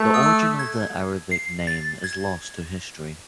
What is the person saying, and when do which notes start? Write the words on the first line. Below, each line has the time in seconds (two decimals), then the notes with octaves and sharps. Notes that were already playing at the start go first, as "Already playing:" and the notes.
The origin of the Arabic name is lost to history.
Already playing: A3 A5
0.14 D#6
0.23 E6
0.59 G#6
1.31 C7
1.67 A6
2.04 G#6